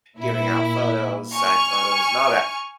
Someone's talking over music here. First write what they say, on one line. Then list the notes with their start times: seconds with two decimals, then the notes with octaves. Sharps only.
giving out photos, signed photos and all that,
0.18 A#2 E4
1.34 G#5 C#6 F6